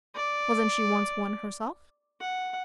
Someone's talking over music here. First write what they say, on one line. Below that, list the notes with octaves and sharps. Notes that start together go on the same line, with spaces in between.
Wasn't she once one herself?
D5
F#5